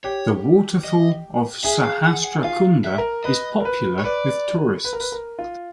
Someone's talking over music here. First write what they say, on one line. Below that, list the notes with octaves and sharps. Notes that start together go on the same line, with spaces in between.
The waterfall of Sahastra Kunda is popular with tourists.
G4 C#5
D#5
G#4 E5
F5
F#5
F#5
F4 F5
E5
A#4
B4 D#5
A#4
B4
C#5
B4 D5
B4
A#4
B4
A#4
F4